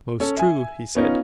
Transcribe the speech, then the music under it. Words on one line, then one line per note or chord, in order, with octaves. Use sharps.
Most true, he said.
C#4 A4
E5 G#5
B3 C#4 D#4 F4